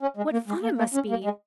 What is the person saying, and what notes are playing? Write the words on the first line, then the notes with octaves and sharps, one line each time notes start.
"What fun it must be!"
C#4
G#3
A#3
G#3
A#3
A#3
C#4
A#3
G#3